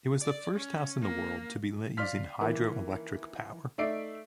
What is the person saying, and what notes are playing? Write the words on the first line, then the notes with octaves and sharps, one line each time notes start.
It was the first house in the world to be lit using hydroelectric power.
D5
C#4
A#3
D5 F5 C6 F6 B6
D#3 E3 A#3 A#4
A3 D#4 D5 E5 C7 D7